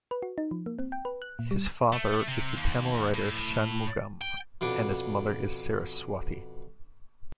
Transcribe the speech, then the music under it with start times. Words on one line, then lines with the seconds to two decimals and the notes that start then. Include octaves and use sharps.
His father is the Tamil writer Shanmugam and his mother is Saraswathi.
0.11 B4
0.22 F#4
0.38 D#4
0.51 F3
0.66 A#3
0.79 C4
0.92 G5
1.05 B4
1.22 F#6
1.39 A#2
1.51 G3
1.93 A3
2.28 C3
2.56 D#2
3.14 A2
4.21 G5
4.61 F2 B2 D4